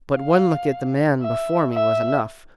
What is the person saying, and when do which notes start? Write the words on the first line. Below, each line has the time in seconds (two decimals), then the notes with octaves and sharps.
But one look at the man before me was enough.
0.16 F5
1.21 E5
1.73 E5